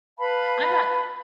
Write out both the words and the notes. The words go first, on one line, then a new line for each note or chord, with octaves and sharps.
I'm not s
B4 F5 A5 B5